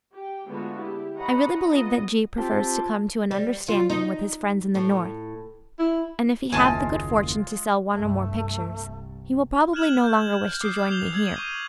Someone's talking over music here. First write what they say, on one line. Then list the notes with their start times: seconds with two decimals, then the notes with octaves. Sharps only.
I really believe that G. prefers to come to an understanding with his friends in the North, and if he have the good fortune to sell one or more pictures, he will probably no longer wish to join me here.
0.14 G4 G5
0.48 D3 G#3 A3 B3 F4 F#4
0.79 E4 G4
1.18 C#5 D#5 F#5 A#5 B5
1.69 B3 F4 D#5
2.38 C4 F4 G4 A5
3.31 G3
3.68 F4
3.90 D#4
4.75 A2
5.79 E4
6.52 F#1 D#2 G#3 F4 G#5 A5
7.92 C2 G2 A3
8.67 C2
9.73 F6 F#6 G#6 E7 F#7
10.04 G6
10.61 D6 D#6 F#6 G6 C7
10.91 G6 F7 G7
11.13 E6 G#6 F#7
11.36 C#6 D#7